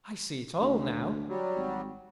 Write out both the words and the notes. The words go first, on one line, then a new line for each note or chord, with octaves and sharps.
I see it all now.
D2
F#3 G3
G#1